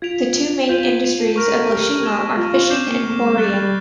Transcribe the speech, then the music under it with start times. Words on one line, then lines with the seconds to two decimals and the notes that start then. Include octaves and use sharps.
The two main industries of Ieshima are fishing and quarrying.
0.02 F4 G#6 B6 D7 F7
0.69 F4 G6 B6 D#7 F#7
1.19 A4
1.36 A#4 C#6 F6 A#6 D7
1.53 A4
1.70 G4
2.03 G#6 B6 E7 G7
2.37 F4
2.53 F4
2.70 C4 D6 G6 C7 E7 G7
2.87 A#3
3.04 A3
3.21 G#3
3.37 G3 F#6 A6 D7 G7
3.54 G3